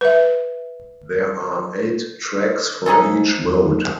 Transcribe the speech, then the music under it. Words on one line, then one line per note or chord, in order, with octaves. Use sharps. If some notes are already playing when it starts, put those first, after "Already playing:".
There are eight tracks for each mode.
B4 E5
F3 D#4 G#4 A4